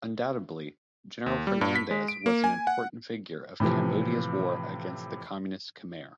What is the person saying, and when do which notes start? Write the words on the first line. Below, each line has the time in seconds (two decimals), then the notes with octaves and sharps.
Undoubtedly, General Fernandez was an important figure of Cambodia's war against the communist Khmer.
1.26 D#2
1.47 G3
1.61 G2
1.76 B6
1.91 G#3
2.08 D7
2.26 A#3
2.44 G#5
2.67 F#5
3.60 A2 C3 E3 F3